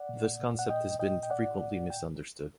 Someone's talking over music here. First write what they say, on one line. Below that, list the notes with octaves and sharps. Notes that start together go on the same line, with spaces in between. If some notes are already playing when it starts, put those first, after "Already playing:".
This concept has been frequently misunderstood.
Already playing: D5 F#5
A#2
A#2
A#2
A#2 F#5
A#2 D#5 G5
A#2
A#2 D#5 G5
A#2
G5
A2 D5 F#5
A2
A2
A2
A2 G5